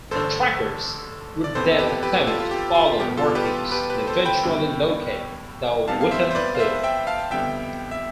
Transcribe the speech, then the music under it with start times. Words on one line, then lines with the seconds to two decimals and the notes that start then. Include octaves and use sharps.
The trackers would then attempt to follow the markings, and eventually locate the Whiffenpoof.
0.11 A1 G2 D3 A4 C5
1.44 D5
1.55 F2 C3 E3 B3 A4 C5
1.72 A4
1.79 G4 B4
2.03 G4 B4
2.27 F4 A4
2.40 F4
2.51 G4
2.75 F4
2.99 E2 B2 G3 B3 G4
3.17 F4 A4
3.35 G4 B4
3.71 G4 B4
3.90 G4 B4
4.07 A4 C5
4.25 G5 B5
4.43 G2 D3 G3 B3
5.87 F2 C3 G3 B3 F5 A5
6.01 F5
6.11 C5 E5
6.31 C5
6.35 B4 D5
6.55 F5
6.59 C5 E5
6.83 E5 G5
7.07 F5 A5
7.31 F2 D3 G3 B3 E5 G5
7.91 E5